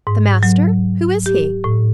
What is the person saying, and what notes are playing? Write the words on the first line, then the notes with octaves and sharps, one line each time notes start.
"The master?--who is he?"
G#2
F#3
G4
A2